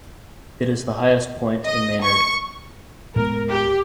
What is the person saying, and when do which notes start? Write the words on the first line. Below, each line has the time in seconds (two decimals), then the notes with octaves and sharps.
It is the highest point in Maynard.
1.66 D#5
2.02 C#6
3.16 A2 G#3 B3 A#4
3.49 G4